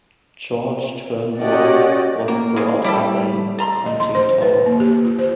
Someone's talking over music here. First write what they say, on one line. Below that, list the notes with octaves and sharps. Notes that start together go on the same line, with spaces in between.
George Turnbull was brought up in Huntingtower.
C#4 F#4 G4 D5 D#5 F#5
A#3
C#3 G#3
G3 E4 G4 A4
A4 A#5 C6
D#5
C6
C5
B4
A#3
G4
F4
C5